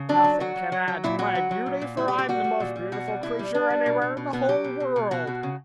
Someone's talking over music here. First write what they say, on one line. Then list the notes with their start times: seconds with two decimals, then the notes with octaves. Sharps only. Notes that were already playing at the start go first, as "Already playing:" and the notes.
"Nothing can add to my beauty, for I'm the most beautiful creature anywhere in the whole world."
Already playing: C#3
0.09 F#3 D4
0.24 F#3
0.40 F#3 F#4
0.56 F#3
0.72 F#3
0.88 F#3
1.04 A#2 E4
1.19 F#3 F#4
1.35 F#3
1.51 F#3
1.66 A#2
1.81 A#2
1.97 G3 E4
2.08 G4
2.13 A#2
2.18 G4
2.29 G3 F#4
2.44 G3
2.60 A#2
2.76 G3
2.92 B2 F#4
3.08 G3
3.23 B2 E4
3.39 G3
3.54 G3 D4
3.70 G3
3.86 B2
4.02 B2
4.17 B2
4.33 B2 B3
4.49 F#3 G4
4.64 B2
4.80 B2
4.96 B2
5.11 B2 F#4
5.27 B2
5.43 C#3